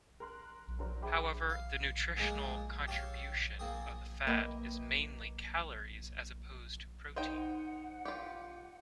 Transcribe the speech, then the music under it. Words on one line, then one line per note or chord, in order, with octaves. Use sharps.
However, the nutritional contribution of the fat is mainly calories as opposed to protein.
A#4 C6 F#6
F#3 D4 A#4 C5 D5
G#4 C5 E5 G5 B5 D6
F5
A#2 F3 G#3 A#3
G4 A4 C#5 F5
F3 A#3 C4 G#4
A#3 B4 D#5 E5 G5
D#4 C5 F#5 G5
F4 G4